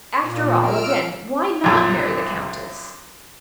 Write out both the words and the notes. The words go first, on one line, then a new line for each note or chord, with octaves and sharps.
After all, again, why not marry the Countess?
A#2
E6 F6 D7
B1 F#2 A#2